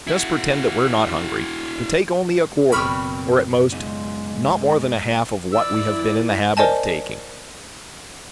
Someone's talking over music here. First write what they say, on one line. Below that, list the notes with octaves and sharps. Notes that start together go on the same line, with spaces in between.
Just pretend that we're not hungry, but take only a quarter, or at most, not more than a half of what we have been in the habit of taking.
E4 F#4
F#1 B2 C4 A#4 G5 B5 C#6 F6
F#3 G#3 B3 C#4
E3 E4 D5 E6
A#4 C5 D5 D#5 G#5 A5